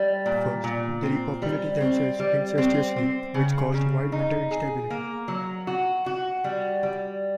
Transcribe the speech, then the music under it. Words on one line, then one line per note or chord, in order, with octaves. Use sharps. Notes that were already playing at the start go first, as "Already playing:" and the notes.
At first they repopulated themselves incestuously, which caused wide mental instability.
Already playing: G3
A#2
A#2
C4
G3
C4
G3
C4
C4
C#3
C#3
D#4
G#4
A#3
F#3
F#4
F#4
G3
G3